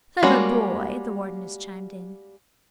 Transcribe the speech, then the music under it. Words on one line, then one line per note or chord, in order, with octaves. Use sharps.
"Clever boy!", the Wardeness chimed in.
G3 G#3 A#3 C#4 F#4